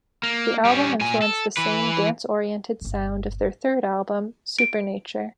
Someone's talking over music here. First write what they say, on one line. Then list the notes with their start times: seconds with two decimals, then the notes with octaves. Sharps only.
The album influenced the same dance-oriented sound of their third album "Supernature".
0.23 A#3
0.65 G3 C#4
1.01 A#2 G#5
1.22 A4
1.57 E3 B4
2.81 G1 A#2
4.59 D7